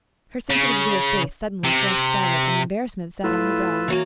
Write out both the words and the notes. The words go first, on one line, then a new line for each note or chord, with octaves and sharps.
Her sensitive little face suddenly flushed scarlet and embarrassment sat on her brow.
C#3
C3
A2 F4 B4 E6
E3 F#3 A#3